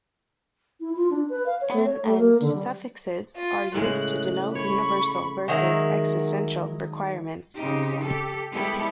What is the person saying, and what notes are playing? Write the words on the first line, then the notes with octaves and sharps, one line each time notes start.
An and suffixes are used to denote "universal" versus "existential" requirements.
E4
F4
D4
B4
F5
C#5
A3
C#5
A3
A#3
D3
G3
F4
A2 C#3 G#3 F#6
C#5 B5 C#6
D#3 F#3 G#3 E4
C#3 C4 D#4 G4
G4 A4
G3 G#3 B3 E4 G4 A4